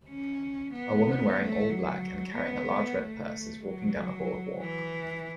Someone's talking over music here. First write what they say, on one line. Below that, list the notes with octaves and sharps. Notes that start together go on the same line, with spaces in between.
A woman wearing all black and carrying a large red purse is walking down a boardwalk.
C#4
B3
A3
F#3
B3
A3
F#3
E3